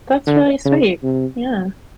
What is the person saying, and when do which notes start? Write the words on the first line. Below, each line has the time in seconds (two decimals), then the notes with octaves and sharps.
That's really sweet, yeah.
0.27 D3
0.65 C#3
1.03 C3